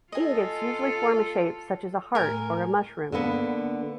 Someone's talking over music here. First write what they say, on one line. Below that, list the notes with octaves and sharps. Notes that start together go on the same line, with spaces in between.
Ingots usually form a shape such as a heart or a mushroom.
F4 A4 D#5 G#5
A2 A#4 G#5
D3 A#3 B3